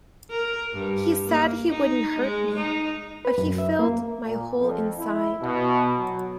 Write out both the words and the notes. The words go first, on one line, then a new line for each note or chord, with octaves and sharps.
He said he wouldn't hurt me, but he filled my whole inside.
A#4
G2
A#3
D#4
G#3
D#4
B4
F#2
E5
A#3
A#2
F2
E4
B2
F#3